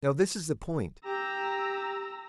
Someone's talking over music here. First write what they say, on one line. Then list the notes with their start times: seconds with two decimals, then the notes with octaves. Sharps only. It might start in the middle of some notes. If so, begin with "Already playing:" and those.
Now this is the point.
1.05 G4 A#5 E6